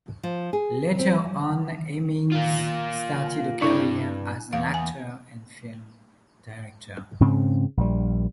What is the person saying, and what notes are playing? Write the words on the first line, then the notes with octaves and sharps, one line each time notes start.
Later on, Hemmings started a career as an actor and film director.
F3
G#4
C4
A#3 F4
G2 D4 E4 A4 D5
E2 F5
G#5
G#2 C#3 C4
A#1 G3